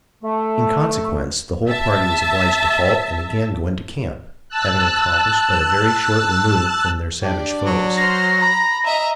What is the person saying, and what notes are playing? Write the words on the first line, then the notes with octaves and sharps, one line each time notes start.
In consequence, the whole party was obliged to halt and again go into camp, having accomplished but a very short remove from their savage foes.
A3
E5 A5
A5 E6 F#6
D4 G4 D5
F#3
C5 F6 A#6 C7
A#5 B5
D#5 E5 A#5